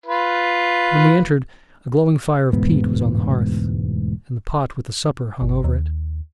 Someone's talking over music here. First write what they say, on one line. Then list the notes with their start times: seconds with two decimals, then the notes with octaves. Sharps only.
When we entered, a glowing fire of peat was on the hearth, and the pot with the supper hung over it.
0.06 F4 B4
2.53 E1 D2 G#2 B3
5.42 G1
5.64 D#2